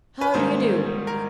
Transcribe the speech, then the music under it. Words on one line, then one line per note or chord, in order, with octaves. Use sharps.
How do you do?
B4
G#2 D#3 G3 A#3 C5
A#4